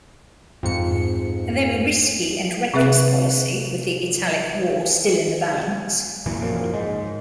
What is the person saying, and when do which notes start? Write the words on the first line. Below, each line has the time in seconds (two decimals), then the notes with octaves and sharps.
A very risky and reckless policy with the Italic War still in the balance.
0.63 F2 G#2 C#7
2.74 C3 C4 G#4 B4 E5 F#6
6.26 F#2 A#2 E3
6.42 F#1 F#2 A#2 F3
6.73 G#2 G#3